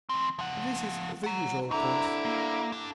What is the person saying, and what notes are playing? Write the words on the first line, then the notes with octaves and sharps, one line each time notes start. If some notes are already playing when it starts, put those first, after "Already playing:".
This is the usual course.
E3 C4
F3 F#5
F#5 A#5
G2 D3 E4 A#5 D6
A#3
D4 G4